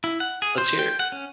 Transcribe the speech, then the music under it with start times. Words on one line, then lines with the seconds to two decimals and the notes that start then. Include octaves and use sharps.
Let's hear it.
0.04 E4
0.20 F#5
0.42 G#4
0.58 C5
0.79 G5
0.99 F#5
1.12 C#4